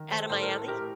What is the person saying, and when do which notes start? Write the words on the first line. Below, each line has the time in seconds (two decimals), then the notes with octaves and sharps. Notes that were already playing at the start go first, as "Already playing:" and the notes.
Outta Miami?
Already playing: D#3
0.11 A4 C5
0.30 A2 A4 C5
0.42 A#4
0.49 A4 C5
0.68 A2 G4 A#4